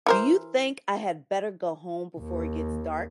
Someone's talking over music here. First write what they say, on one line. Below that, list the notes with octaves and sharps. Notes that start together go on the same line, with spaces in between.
Do you think I had better go home before it gets dark?
E3 A#4 C5
D#2